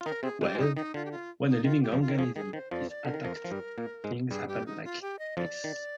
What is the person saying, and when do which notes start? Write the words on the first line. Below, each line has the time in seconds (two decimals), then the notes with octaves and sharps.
Well, when a living organism is attacked, things happen like this.
0.01 F4
0.05 D#3 D#4 A#4
0.23 C3 C4 G#4
0.41 G#2 G#3 G4
0.55 G#3
0.58 G2 G3 D#4
0.76 D#3 D#4
0.94 D3 F4
1.05 G4
1.11 F4
1.47 D#4
1.65 D#3 F4
1.83 G4
1.92 F2 F3
2.01 F4
2.08 D#3
2.13 A#4
2.18 F2 F3 G#4
2.36 D#3 G#4
2.53 D#3 C5
2.71 F2 F3 D5
2.89 D5
3.05 D3 A#4
3.14 D#3
3.25 F2 F3
3.44 F3
3.51 G2 G3
3.78 A#2 A#3
4.04 G#2 G#3
4.30 G2 G3 G#4
4.48 G4
4.66 D#4
4.84 F4
5.02 G4
5.19 D#5
5.37 F2 F3 D5
5.64 D#3